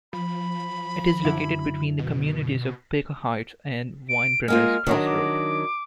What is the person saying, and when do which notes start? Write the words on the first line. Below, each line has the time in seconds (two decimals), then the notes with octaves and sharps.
It is located between the communities of Baker Heights and Winebrenners Crossroad.
0.13 F3 B5
1.25 F#2 D3 E4
1.99 B2
4.09 D7
4.48 G#3 A#3 F4 F6
4.87 D#3 F#3 D4
5.06 D6